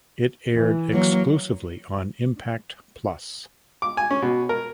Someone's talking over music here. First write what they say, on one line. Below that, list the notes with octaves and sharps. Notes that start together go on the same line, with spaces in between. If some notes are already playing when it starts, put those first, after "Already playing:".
It aired exclusively on Impact Plus.
E3
F#3 A#3
D6
G#5
C#4
B2
A#4